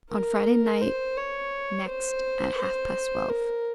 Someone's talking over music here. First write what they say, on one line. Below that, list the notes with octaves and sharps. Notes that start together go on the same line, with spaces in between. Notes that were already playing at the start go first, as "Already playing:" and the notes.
'On Friday night, next, at half-past twelve.'
A#4
C5
C#5
C5
C5
A#4